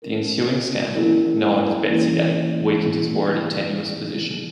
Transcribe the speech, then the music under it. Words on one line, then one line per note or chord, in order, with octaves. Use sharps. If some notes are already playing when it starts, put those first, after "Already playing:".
The ensuing scandal, known as "Betsygate", weakened his already tenuous position.
A#3 C#4 E4 A#4
A#3 C#4 E4 A#4
E3 A#3 C#4 E4
E3 A#3 C#4 E4
G3 C#4 G#4